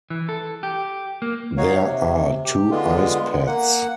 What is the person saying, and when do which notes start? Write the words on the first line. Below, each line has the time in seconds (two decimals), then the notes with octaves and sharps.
There are two ice pads.
0.10 E3
0.29 A4
0.63 G4
1.22 A#3
1.57 D#4 F#4 C#5 F5
1.84 C3
2.44 G4
2.71 D3 G#3 B3 F4
3.47 A#3 F#5